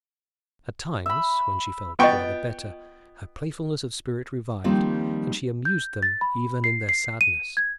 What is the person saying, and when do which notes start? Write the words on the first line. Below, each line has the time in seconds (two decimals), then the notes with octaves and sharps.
At times, when she felt rather better, her playfulness of spirit revived, and she amused them even in their sadness.
1.06 E5 B5
1.99 B3 F4 D#5 G5 C#6
4.64 D#3 F3 G3 A#3 C4 F4
5.65 G6
6.03 A6
6.21 B5
6.64 C7
6.89 C7
7.21 D#7
7.57 G#6